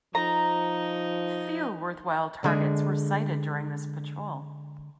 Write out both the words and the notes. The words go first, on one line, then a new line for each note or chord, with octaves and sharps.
Few worthwhile targets were sighted during this patrol.
F3 D#4 A#5
D3 G#3